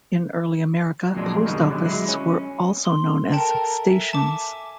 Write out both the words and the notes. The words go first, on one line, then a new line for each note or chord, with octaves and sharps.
In early America, post offices were also known as "stations".
F2 A#2 F#3 G#3 D4
F#2 B2 D#3 G3 G#3
D3 F#3
F#3 G#3 E4
C#4
C6
A4 A#4 G5 A5
E5 G#5
A5 D6